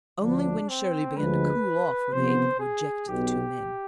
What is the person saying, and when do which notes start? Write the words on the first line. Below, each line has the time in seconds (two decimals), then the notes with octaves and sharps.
Only when Shirley began to cool off were they able to eject the two men.
0.21 D2 D3 F3 D4
0.69 C4
1.17 D2 D3 F3 G#3 B4
2.12 C3 F3 B3 C5
2.60 G#4
3.08 B1 B2 B3 G4